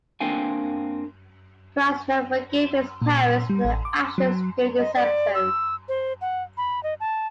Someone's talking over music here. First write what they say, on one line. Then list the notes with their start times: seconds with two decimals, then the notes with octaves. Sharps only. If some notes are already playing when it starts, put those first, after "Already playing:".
Price never forgave his parents for their actions during this episode.
0.20 A#3 C4 D4 F5 G5 G#5
3.02 A#2
3.50 G3
3.65 A1
3.85 D6
4.18 F#3
4.78 D#5
4.96 D5
5.34 E6
5.88 C5
6.21 F#5
6.57 B5
6.83 D#5
7.00 A5